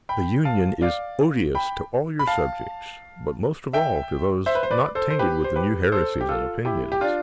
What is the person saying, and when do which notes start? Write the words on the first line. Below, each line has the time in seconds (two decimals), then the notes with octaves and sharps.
The union is odious to all your subjects, but most of all to those not tainted with the new heresies and opinions.
0.09 G5 B5
0.45 F5 A5
0.82 D5 F5
1.55 G5 B5
2.19 B5
2.27 F5 A5
3.73 E5 G5
4.46 C5 E5
4.55 B4
4.63 C5
4.71 B4 D5
4.95 A4 C5
5.10 C5
5.19 G4 B4
5.44 C5
5.56 G4 B4
5.92 A4 C5
6.21 G4
6.29 F4 A4
6.65 E4 G4
6.92 G4
7.01 D4 F4